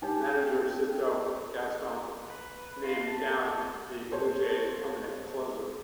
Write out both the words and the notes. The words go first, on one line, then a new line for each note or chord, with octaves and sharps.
Manager Cito Gaston named Downs the Blue Jays' permanent closer.
D4 D#4 G4 C#5
B4
F4
A5
A4 C5 C#5